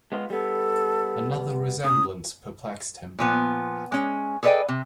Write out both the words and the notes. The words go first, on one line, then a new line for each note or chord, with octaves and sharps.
Another resemblance perplexed him.
G#3 B3 F4
G3 B3 A4
C#3 D#6
A#2 F3 B3
G#3 C#4
G#4 A4 B4 D5 D#5 G5
C3